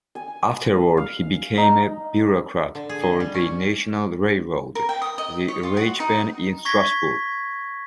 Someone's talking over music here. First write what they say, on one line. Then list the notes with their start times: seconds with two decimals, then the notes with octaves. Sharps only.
Afterwards, he became a bureaucrat for the national railroad, the Reichsbahn, in Strasbourg.
0.15 G#5
0.97 F5
1.58 D#4
2.75 D3
2.89 G#4
3.02 D#5
3.20 G3
3.34 C#4
4.75 A#4
4.89 G5
5.02 D#6
5.18 D#5
5.48 C#5
5.63 F4
5.77 F#4
6.00 D#4
6.65 C#6 G#6 A#6 B6